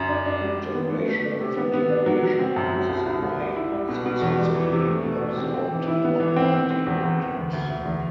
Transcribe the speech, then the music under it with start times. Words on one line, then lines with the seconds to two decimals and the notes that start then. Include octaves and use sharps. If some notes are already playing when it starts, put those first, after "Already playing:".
Generation after generation passes away, successively absorbed in one mighty vortex.
Already playing: F#2
0.08 D4
0.25 D4
0.41 G3
0.58 G3
0.75 B3
0.91 A3
1.08 A3
1.24 D4
1.41 C3
1.57 B3
1.74 B3
1.90 D4
2.06 F#3
2.23 F#3
2.39 C4
2.56 F#2
2.73 F#3
2.89 C2
3.06 C2
3.23 C2
3.39 G3
3.56 E4
3.72 G3
3.89 B2
4.06 B2
4.22 E2
4.38 G3
4.55 E3
4.72 C3
4.88 A3
5.04 B2
5.21 D4
5.38 C4
5.54 C4
5.71 E3
5.87 E4
6.04 B3
6.20 E3
6.36 C4
6.54 C4
6.71 C4
6.87 E2
7.03 E2
7.20 E2
7.36 D2
7.53 D2
7.70 D2
7.85 E2